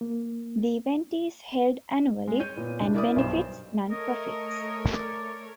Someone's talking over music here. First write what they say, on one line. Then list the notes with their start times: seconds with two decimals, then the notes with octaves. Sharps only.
The event is held annually, and benefits non-profits.
0.01 A#3
2.28 G#3
2.40 C#5 G6 D#7
2.56 A#2 B3
2.80 C2 D4
2.93 E4 A#4 D5 D6 D#6
3.16 B1 G2 C5 E7
3.91 A3 A#4 C#5 D#5
4.93 D5